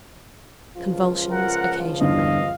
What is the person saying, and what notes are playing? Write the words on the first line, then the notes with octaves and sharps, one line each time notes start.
Convulsions occasionally.
C#2 F3 F4
A#4 F#5
E2 G2 D3 D#5 F5